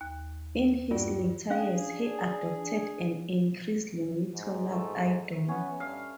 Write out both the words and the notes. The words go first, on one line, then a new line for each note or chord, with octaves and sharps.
In his later years, he adopted an increasingly tonal idiom.
D#2
G2 D4 F4 F#4 G5
C#4 D4 G#4 F5
G#2
A3
B3 C#4
G2 F5